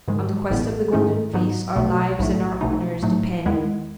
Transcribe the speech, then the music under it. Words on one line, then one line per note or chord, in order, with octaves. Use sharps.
On the Quest of the Golden Fleece our lives and our honors depend.
G#2 D#3 G#3
A1 A2 G#3 B3
G#2 D#3 A3 C#4 E4
G#2 F#3 B3 D#4
B1 B2 A3
B1 A2 F#3 A3
B1 B2 A3 D#4
A2 F#3 A3 D#4
E2 D#3 G#3 B3 E4